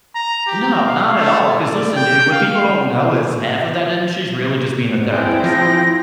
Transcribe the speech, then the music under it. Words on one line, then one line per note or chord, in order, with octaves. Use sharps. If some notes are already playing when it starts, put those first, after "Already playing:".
No. Not at all, 'cause listen, dude. What people don't know is half of that industry is really just being a therapist.
A#5
G4
F5
A3
D5
G5
F5
C4 E4 G#4
F3 A#6